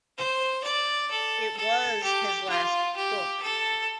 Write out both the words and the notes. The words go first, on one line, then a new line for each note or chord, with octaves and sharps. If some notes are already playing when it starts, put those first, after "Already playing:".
It was his last book.
C5
D5
A4
A4
G4
F4
G4
A4